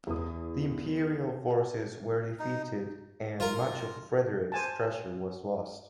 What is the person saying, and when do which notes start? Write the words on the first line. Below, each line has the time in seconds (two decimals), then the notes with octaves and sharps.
The Imperial forces were defeated and much of Frederick's treasure was lost.
0.07 E2 D#6
2.39 D#4
3.40 F4 A#4
4.52 C5 G#5 A5